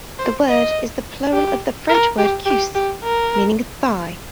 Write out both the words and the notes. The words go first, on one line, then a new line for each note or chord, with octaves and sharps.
The word is the plural of the French word "cuisse" meaning 'thigh'.
C5
D#5
G4
A#4
G4
G4
G4
A#4